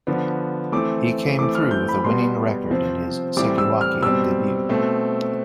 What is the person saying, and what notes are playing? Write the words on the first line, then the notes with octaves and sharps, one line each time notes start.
He came through with a winning record in his "sekiwake" debut.
D3 F3 B3
E3 A3 C4 D6
E3 A3 C4 D6
F6
G6
B5
B2 G3 B3 C6
C3 F3 C4
A2 E3 G3 C4 D6
E6
F6
B2 G3 C4 E6
B2 A3 C4